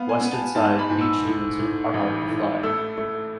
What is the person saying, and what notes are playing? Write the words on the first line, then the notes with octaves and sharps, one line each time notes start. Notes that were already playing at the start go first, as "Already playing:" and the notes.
Western side - beach dunes are hard to fly.
Already playing: B3 F5
G#5
B3
A5
G#2 A5
B5
G#2
E6
A2
A2
A1
A2
A3 E6
A3